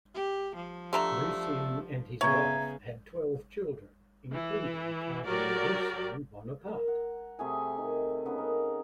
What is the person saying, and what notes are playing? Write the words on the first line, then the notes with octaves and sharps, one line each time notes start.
Lucien and his wife had twelve children, including Cardinal Lucien Bonaparte.
G4
F3
D3 A3 G4 A#5
C#3 B3 C#5 E5 A#5 G#6
E3
F#3 F#4 G4 A#4 D5
A#4
F#5
C3 A3 G#4 G#5
D#3
C#3 B3 D#4
A#4